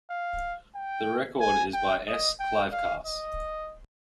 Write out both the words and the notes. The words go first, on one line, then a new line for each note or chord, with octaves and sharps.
The record is by S. Kleivkaas.
F5
G5
G#5
G5
D#5
G5
F5
D#5